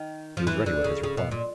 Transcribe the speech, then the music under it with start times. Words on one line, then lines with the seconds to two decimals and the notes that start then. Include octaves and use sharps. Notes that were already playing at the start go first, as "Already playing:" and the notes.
He was ready with his reply.
Already playing: D#3
0.37 F3
0.47 E3
0.66 D3
0.84 C#3
1.03 C#3
1.17 B2
1.31 A#2